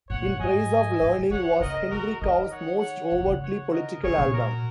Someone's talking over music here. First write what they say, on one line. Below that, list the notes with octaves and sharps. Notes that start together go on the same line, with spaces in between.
"In Praise of Learning" was Henry Cow's most overtly political album.
A#2 C#5 F#5
F#2
G#2 D#5 G#5
G#2
C#3
D#3 C#5 F#5
C#3 A#4 D#5
D#3 F#4 A#4
D#3 A#4 D#5
C#5 F#5
C#3
D#3
C#3
C#5 F#5
A#4 D#5
C#3 G#4 C#5
A#2
F#4 A#4